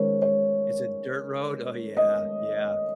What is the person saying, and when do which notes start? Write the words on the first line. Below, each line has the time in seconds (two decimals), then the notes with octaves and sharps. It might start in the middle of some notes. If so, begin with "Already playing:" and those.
Is it dirt road? Oh, yeah, yeah.
Already playing: D#3 G#3 C#4 A#4 C5 C#5
0.22 C#5
1.97 D#5